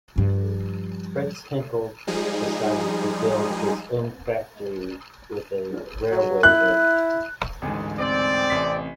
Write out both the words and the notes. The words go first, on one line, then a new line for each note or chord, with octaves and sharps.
Fritz Henkel decided to build his own factory with a railway link.
G2 F3
F3 G3 G#3 D#4 G#4
F#3
E4 F#6
A1 D2 G#2
C4 D5
A1 C3 B6